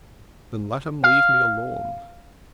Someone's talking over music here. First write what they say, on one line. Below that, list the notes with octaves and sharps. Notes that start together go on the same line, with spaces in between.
'Then let him leave me alone.
F5